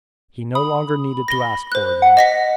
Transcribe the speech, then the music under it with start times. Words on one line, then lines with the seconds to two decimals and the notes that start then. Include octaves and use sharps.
He no longer needed to ask for them.
0.55 B5 D#6
1.28 A#6 G7
1.72 C5 F#6
2.02 F#5
2.17 D#5 A#6 B6